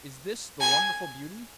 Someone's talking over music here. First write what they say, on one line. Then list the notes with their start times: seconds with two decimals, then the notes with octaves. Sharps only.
'Is this the wonderful beauty?'
0.61 G#5